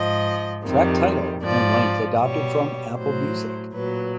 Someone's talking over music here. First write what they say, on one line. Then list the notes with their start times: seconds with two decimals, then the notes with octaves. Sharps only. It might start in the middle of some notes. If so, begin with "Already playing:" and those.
Track title and length adopted from Apple Music.
Already playing: G#2 F3 D#5
0.66 F2 C3 D#3 G3
1.43 G#2 F3 D5
2.20 B2 G3 C#5
2.97 A2 F#3 C5
3.74 A#2 F#3 B4